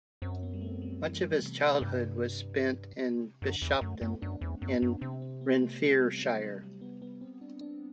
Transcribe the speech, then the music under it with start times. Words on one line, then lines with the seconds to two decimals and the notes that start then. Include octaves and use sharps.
Much of his childhood was spent in Bishopton in Renfrewshire.
0.22 F#2 C4
0.43 B3
0.54 G3
0.61 A3
0.82 G3
1.02 E3
1.42 C3
1.81 G2
3.42 F#2 D3
3.62 E2
3.81 F#2 A3
4.01 F#2 B3
4.22 F#2 D4
4.41 E2 C4
4.61 F#2 B3
4.81 F#2 B3
5.01 C3 C4
5.22 C4
5.41 B3
5.61 A3
5.81 G3
6.01 G3
6.22 F#3
6.42 G3
6.62 G3
6.81 B3
7.02 B3
7.21 C4
7.41 D4
7.61 D4